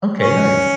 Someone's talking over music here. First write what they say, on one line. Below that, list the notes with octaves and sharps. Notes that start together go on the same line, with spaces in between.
Okay. Nice.
C#4